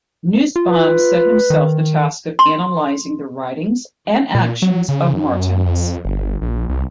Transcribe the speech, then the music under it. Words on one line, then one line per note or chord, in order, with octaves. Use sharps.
Nussbaum set himself the task of analysing the 'writings and actions' of Martens.
F4
B4
D#3
C6
A#2
F#3
C#3
F#2
F2
G1
A#1
C2